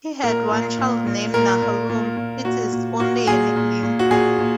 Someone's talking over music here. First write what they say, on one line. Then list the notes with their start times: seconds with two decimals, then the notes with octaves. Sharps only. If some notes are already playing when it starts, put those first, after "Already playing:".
He had one child named "Nahalum", it is only a nickname.
0.24 A#2 A#4
0.52 A#2
0.79 A#2
1.07 A#2
1.34 A#2 A#4
1.62 A#2
1.89 A#2
2.17 A#2
2.45 A#2 F#4
2.72 A#2
3.00 A#2 F#4
3.27 A#2 G#4
3.56 A#2
3.83 A#2
3.99 F#4
4.11 A#2 G#4
4.39 A#2